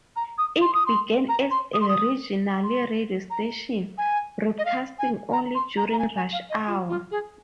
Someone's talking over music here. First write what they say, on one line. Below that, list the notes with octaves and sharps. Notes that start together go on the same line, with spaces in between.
It began as a regional radio station broadcasting only during rush hour.
A#5
D#6
C6
D#6
C6
A#5
C6
D#6
C6
D#6
C6
A#5
G#5
D#5
F5
G#5
A#5
C6
A#5
A#5
G#5
G#5
F5
D#5
F4
F4
G#4